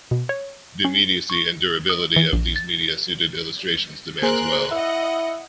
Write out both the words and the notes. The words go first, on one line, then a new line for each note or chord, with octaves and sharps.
The immediacy and durability of these media suited illustration's demands well.
B2
C#5
C#4
C#6
D#6
E3
A#1
A6
A#3 G#4 A#4 C5 C6 F#6
E4 D#5 F#5 E6